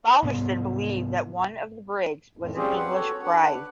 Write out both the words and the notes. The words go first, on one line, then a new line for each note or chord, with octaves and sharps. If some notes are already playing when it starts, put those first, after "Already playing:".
Balderston believed that one of the brigs was an English prize.
C2 G#2 B3
F2 A2
G3 C4 C#4 F4 G4 G#4
B4 F#5
F#4 A4 C#5
D4 B4 F#5